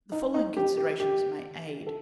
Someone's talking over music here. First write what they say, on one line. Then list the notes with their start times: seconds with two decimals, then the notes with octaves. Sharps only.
The following considerations may aid.
0.12 D#4
0.34 D#4
0.57 G4
0.78 G4
1.00 G4
1.87 A4